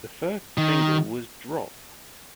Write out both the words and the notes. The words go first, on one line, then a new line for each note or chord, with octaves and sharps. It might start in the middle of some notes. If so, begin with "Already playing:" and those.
The first single was "Drop".
D#3